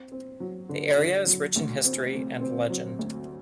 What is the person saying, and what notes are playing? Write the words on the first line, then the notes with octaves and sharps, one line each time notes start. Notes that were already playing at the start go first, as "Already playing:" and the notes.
The area is rich in history and legend.
Already playing: C4
C4
F#3
D3
D3
F#3
D2
C4
C3
C4
F#3
D2